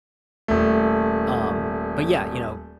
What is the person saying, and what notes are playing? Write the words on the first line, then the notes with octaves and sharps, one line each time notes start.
Um, but yeah, you know,
D#1 A3